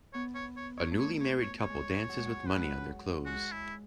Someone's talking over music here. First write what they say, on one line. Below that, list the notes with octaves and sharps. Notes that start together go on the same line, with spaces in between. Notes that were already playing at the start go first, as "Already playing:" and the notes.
A newly married couple dances with money on their clothes.
B3 C#5
C#5
C#5
C#5
A3
C#5
C#5
C#5
C#5
G#3
F#3
G#3
F#3
F#3 B4
G#3
F#3
G#3 F#4
E4